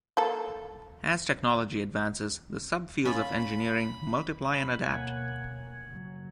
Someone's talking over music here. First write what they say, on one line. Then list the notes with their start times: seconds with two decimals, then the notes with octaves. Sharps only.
As technology advances, the subfields of engineering multiply and adapt.
0.17 A#3 A4 A5
3.05 C#4 F4 B5
4.54 B5
4.83 D2 B2 A#3 C#5 F#5 G#5
5.90 F#1 F#3